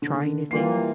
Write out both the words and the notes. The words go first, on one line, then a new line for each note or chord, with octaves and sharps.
trying new things
D3
D3
E3 G3 A#3 F4 C7